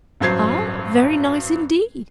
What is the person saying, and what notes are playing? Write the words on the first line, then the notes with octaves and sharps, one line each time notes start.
Ah! very nice indeed.
A1 G2 F#3 C5 G#6 C7